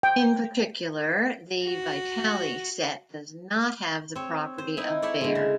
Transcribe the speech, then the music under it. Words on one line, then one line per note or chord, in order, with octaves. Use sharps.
In particular, the Vitali set does not have the property of Baire.
G5
F#4
C4 C#5
C5
D#4 E4 G#5
E4 A4 C#5 D5
D3 G#3
C#3